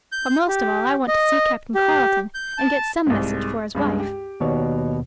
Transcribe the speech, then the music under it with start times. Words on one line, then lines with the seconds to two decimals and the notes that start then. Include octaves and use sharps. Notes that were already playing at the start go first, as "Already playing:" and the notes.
But most of all I want to see Captain Carleton, and get some message for his wife.
0.12 G6
0.48 G4
1.08 D#5
1.75 G4
2.34 G6
2.58 A5
3.07 C2 G#2
3.75 C#2 G2 G#3
4.00 G4
4.40 D#2 B2 F#4 C#5 D5